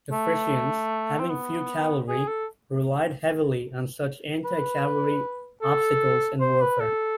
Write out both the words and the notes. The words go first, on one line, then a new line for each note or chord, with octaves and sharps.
The Frisians, having few cavalry, relied heavily on such anti-cavalry obstacles in warfare.
A3
C4
B3
G#4
A4
B4
A4
C5
B4
A4